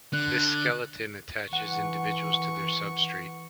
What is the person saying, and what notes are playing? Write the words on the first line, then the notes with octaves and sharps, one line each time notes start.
This skeleton attaches individuals to their substrate.
D3 F#6
E3 F#5 C#6